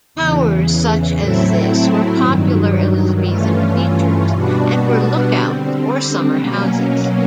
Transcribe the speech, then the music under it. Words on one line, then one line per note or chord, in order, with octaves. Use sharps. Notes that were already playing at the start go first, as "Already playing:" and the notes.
Towers such as this were popular Elizabethan features and were lookouts or summer houses.
E2 C#3 E3
A2 F#3 A3 C4 E4
G2 D#3 F#3
G2 E3 A3 C#4 F4
B2 G3 B3 D4 F#4
D3 G3 C4
B2 F#3 A#3 C#4